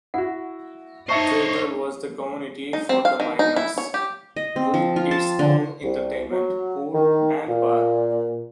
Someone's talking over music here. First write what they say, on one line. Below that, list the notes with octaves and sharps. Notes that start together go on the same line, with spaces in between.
Treadwell was the community for the miners, with its own entertainment, pool, and bar.
E4 F#4 F#5
D#4 C5 C#5 D#5 E5 A5 C#6
D#4
C4
F5
D#3
D#4
E4
C#5
G4
D#5
C4
F3
F4
A5
D3
C2
F#3
D#3
A#2